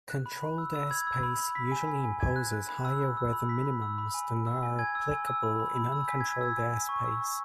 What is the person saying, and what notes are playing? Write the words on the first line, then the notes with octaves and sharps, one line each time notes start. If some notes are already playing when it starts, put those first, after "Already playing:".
Controlled airspace usually imposes higher weather minimums than are applicable in uncontrolled airspace.
F#6
B5
B5
E6
E6
B5 G#6
E6
B5
B5
B5 B6
G#5
G#5
G#5
G#5 G#6
F#6
F#6
B5
E6
B5
E6
B5
B5 B6
B5
E6
B5
G#5
B5
E6
G#5
G#5 G#6
E6
G#5
E6
B5
B5
B5
E6
G#5 B6
G#5 G#6
E6 G#6
G#5
G#5
C#6
E6
G#5